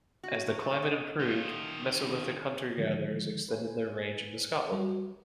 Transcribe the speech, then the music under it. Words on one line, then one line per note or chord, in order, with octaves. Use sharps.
As the climate improved, mesolithic hunter-gatherers extended their range into Scotland.
F#4
F#3
A3
D#4
D#3 F4
D3 D#3 F3 G#3
B4 C5 G#5
G3 F#4